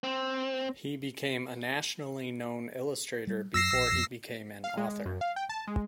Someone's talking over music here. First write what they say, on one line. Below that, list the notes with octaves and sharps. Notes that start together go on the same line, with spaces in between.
He became a nationally known illustrator before he became an author.
C4
G3
F#2 E6 A#6 C7
A#1
F2
F5
G#3
F#2
F5
G5
A5
G#3